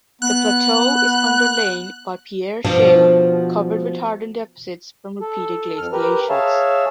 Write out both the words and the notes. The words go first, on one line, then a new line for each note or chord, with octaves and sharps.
The plateau is underlain by Pierre shale covered with hardened deposits from repeated glaciations.
B3 F#6
B2 F3 D4
A4
F2 F6
G4 A#4 B4
G#4 C#5 E5 F5 A5